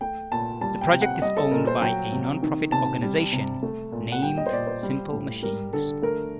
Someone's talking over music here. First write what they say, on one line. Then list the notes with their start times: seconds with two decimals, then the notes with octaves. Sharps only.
The project is owned by a non-profit organization, named "Simple Machines".
0.01 A3 G5
0.32 A#2 A5
0.61 G3 A5
0.81 G5
0.92 C3
1.01 F#5
1.22 G3 D#5
1.37 A4
1.51 A#2 A#4
1.67 C5
1.81 F#3 G5
2.12 C3
2.42 D#3
2.72 C3 A5
3.02 G3
3.33 C3
3.63 A3
3.92 A#2
4.12 F#5
4.22 G3 G5
4.37 D#5
4.46 C5
4.53 A#2 D5
4.67 C5
4.83 G3
5.13 A2
5.43 G3 A#4
5.73 D3 A4
6.02 A3 A#4